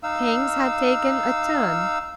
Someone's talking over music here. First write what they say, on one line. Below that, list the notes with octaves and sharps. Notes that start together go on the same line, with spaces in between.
Things had taken a turn.
D#4 F5 E6